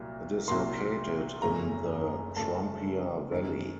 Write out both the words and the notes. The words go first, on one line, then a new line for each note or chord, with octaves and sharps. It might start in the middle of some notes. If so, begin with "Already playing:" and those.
It is located in the Trompia valley.
Already playing: C2 A#2 F#3 A#3
C2 A#2 F#3 A#3 C6
F#1 F#2 C#3 A3 A#5
F#1 F#2 C#3 A3 A5
F#2 D#3 A#3